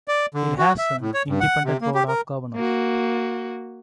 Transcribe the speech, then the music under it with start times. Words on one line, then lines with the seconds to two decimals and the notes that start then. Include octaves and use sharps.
It has an independent board of governors.
0.08 D5
0.34 D3
0.58 F#4
0.78 E5
1.01 A2
1.14 C#5
1.28 G2
1.41 F#5
1.65 C3
1.81 A#3
1.95 G4
2.08 A#4
2.55 A#3 F#4